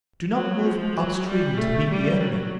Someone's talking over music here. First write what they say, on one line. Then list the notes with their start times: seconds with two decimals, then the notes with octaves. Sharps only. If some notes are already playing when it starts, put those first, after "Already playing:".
Do not move up-stream to meet the enemy.
0.34 F#3
0.66 F3
0.96 F#3
1.28 G3
1.58 A3
1.90 G3
2.21 F#3